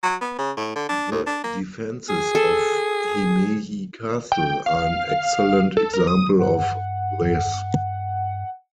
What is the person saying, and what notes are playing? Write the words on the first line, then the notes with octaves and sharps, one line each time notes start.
The defenses of Himeji castle are an excellent example of this.
F#3
B3
C#3
A2
D3
D4
D#2
D4
A#3
G#4
A4
G5
F5
A4
A#4
D#6
G2 F#5